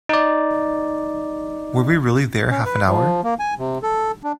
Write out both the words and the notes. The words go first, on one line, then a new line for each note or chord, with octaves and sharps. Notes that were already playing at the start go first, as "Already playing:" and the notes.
Were we really there half an hour?
D#4 D5
C#4
B4
F3
A#3
G#5
C3
A4
D4